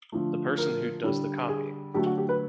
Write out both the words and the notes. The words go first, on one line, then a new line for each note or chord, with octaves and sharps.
The person who does the copying.
D3 F3 A3
A#4
D3 G3
G#4
D3 F#3 A3 G4
F#4
G4
B4